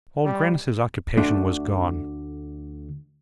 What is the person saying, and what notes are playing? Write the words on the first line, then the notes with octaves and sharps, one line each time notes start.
Old Grannis's occupation was gone.
G3
D2 A3 D4 E5 C6